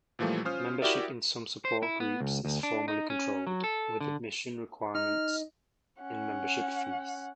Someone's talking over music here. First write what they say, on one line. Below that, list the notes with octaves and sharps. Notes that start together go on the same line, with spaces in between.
Membership in some support groups is formally controlled, with admission requirements and membership fees.
A#2 E3 F3 G3 A3 A#3
C#4 F4 C5 D#6 F6
E4 F#4 G4 A#4 D5 E5
C5
E4
B3
C#2
D2
D4
D#4
C#4
F#3
A4
D3
D#4 F6
C#4 F#5